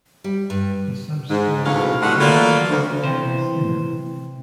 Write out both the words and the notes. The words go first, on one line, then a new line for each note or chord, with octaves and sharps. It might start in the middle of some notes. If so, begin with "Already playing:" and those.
The sub-schools are Junior, Middle and Senior.
G3
G2
G#2
D2 A2 E3 F#3 C#4 F5
D#2 A2 G3 F#4 C5 F#5
F#3 A3 A#3 F4 B4 D5
D2
C3 E3 C5